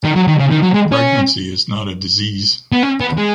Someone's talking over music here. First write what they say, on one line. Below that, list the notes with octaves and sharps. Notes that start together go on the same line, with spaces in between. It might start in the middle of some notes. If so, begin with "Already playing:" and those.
Pregnancy is not a disease.
D#3
F#3
D#3
C#3
D#3
F#3
G#3
C#4
B3
C#4
B3
G#3